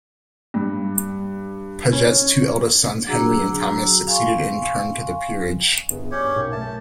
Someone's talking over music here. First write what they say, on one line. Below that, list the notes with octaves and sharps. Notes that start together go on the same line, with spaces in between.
Paget's two eldest sons, Henry and Thomas, succeeded in turn to the peerage.
G2
C#4
F#3 D4 F#4 G#4 A#5 E6
F5 G#5 C6 C#6
G1 B3 G#4
C#4 D4 G4 C#5
B1 A#4 F5
A3 A#4 E5 A5